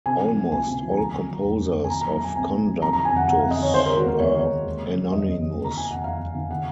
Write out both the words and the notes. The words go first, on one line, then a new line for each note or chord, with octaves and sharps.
Almost all composers of conductus are anonymous.
C3 G#5
F3
A#3
C#2 G#5
C3
F3
G#5
D#2 A#5
D#3
F#3
F1
D#2
D#3
G#5
A#2 A#5
A#5
F#3
A#5
A#3 G#5
C2 G#5
A#2
F#3
F2 A#5
A#5
D#3
G#5
F1 F#5
F1 F#5
F5
F2
D#5
D#3 C#5
D#3 C5
A#4
G#3
F#4
D#2 A#4
D#2 C#5
D#3
G#3
D#2
C#3
F#3
F1 D#5
D#2
C#3
D#2
A#5
D#3 G#5
F1 F#5
F1 F5
D#2
D#3
C#3 F#5